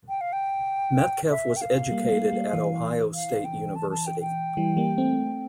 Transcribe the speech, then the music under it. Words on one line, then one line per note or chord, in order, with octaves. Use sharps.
Medkeff was educated at Ohio State University.
G5
F5
G5
E5
G5
F5
G3 A#3
A3
G3 A#3
G3 A#3
E3
F5
G5
A5
A5
G5
G5
E3 G3
G3 A#3
A3 C4